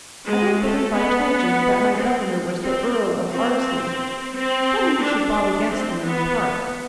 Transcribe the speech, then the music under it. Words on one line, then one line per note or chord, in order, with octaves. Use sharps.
I don't believe I told you that my Governor was the Earl of Ardsley. Funny you should bob against them in the Park.
G#3
A3
B3
C4
C4
C4
C4
D4
C4
B3